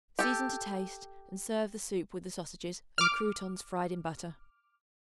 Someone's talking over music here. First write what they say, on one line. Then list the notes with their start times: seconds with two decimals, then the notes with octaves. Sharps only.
Season to taste and serve the soup with the sausages and croutons fried in butter.
0.19 G4 A4
2.98 D6 F6